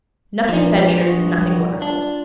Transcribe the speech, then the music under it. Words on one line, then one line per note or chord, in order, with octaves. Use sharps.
Nothing ventured nothing wonderful.
G2 A#2 E3 F3
G2 F#4 D#5
G3
D#2 A#2
D4 F4